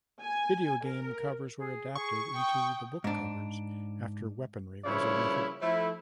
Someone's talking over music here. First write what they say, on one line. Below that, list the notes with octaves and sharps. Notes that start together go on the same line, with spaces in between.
Video game covers were adapted into the book covers after weaponry was omitted.
G#5
A#4
G#4
G#4 C#6
G5 D#6
G#2 D4
G2 A#2 C#3 F3 E4 C#5
F3 A3 E4